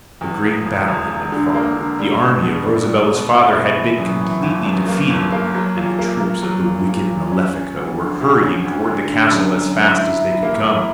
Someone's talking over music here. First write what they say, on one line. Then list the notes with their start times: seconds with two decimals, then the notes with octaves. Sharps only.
A great battle had been fought, the army of Rosabella's father had been completely defeated, and the troops of the wicked Malefico were hurrying toward the castle as fast as they could come.
0.21 E2
0.43 E1
0.65 E1
0.88 E1
1.10 E1
1.32 D3
1.55 A#3
1.76 D3
1.99 G3
2.21 B2
2.43 B2
2.65 G3
2.88 G3
3.10 B2
3.32 E4
3.54 B2
3.76 E3
3.98 F#2
4.21 E3
4.43 G1
4.65 F#2
4.87 A#3
5.10 G1
5.32 A#3
5.54 F#3
5.77 A#2
5.99 A#3
6.20 A#3
6.43 F#3
6.65 A#2
6.88 A#2
7.10 A#2
7.32 C#4
7.54 C#4
7.76 D2
7.98 D3
8.21 D2
8.43 C#4
8.65 D2
8.88 D3
9.09 D3
9.32 F#2
9.54 F#2
9.76 E4
9.98 E4
10.20 E4
10.43 A#3
10.64 E4